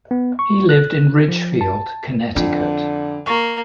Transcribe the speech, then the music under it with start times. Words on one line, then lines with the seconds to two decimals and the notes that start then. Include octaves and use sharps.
He lived in Ridgefield, Connecticut.
0.11 B3
0.39 C#6
0.69 F#6
1.28 F3
1.61 A5
2.36 F2 D3 D4
3.26 A#3 C#6